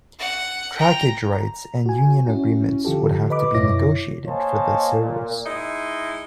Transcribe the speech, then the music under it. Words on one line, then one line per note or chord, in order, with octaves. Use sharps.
Trackage rights and union agreements would have to be negotiated for this service.
F#5
G5 A#5
A#5
F#4 G#5
C#4 E4 F#4
D3 F3 F4 G4 A4
B4 D#5 B5 D6
F#2 B2 E4 C#5 D6 A#6
A#3 C5 C#5 D#5 G#5 A5
A#2
G#3 D#4 E4